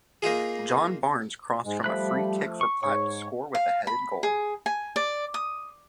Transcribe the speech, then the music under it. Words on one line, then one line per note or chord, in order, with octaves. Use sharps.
John Barnes crossed from a free-kick for Platt to score with a headed goal.
A#3 D#4 F4 G#4
G#2 G#3
F3 G3 A3 B5 F#6
C#6
G#2 C#5 C#6
F5
B5
G#4
G#5
D5
D#6